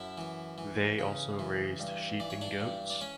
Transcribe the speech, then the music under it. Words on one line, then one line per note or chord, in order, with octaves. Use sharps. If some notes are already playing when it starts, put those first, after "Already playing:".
They also raised sheep and goats.
Already playing: F#2 E4 E5
E3
E3
C#3
E3
G2
E3 D5
C#5
D4 D5
G2
D5
C#4 C#5